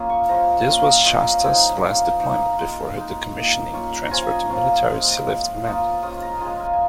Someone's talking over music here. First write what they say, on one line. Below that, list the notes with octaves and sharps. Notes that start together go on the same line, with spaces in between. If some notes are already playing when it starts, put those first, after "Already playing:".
This was "Shasta's" last deployment before her decommissioning transfer to Military Sealift Command.
Already playing: A#3 C#4 F4 D#6
C#6
F3 G#3 C#4 A#5
A#3 C#4 F4 F5
D#5
A#3 C#4 F4 D#5
F5
F3 G#3 D#4 G#5
A#3 C#4 F4
A#3 D#4 C#6
G#3 F4
G#3 D#4
A#3 D#4
A#3 C#4 F4 C#6
C#6
A#5
F3 C#4 F4 G#5
D#5
F3 A#3 C#4 F5
A#5
G#3 F4
G#3 F4
A#3 F4 D#6
G#3 C#4 F4 D#6
A#5
G#3 F4 G#5
F5
G#5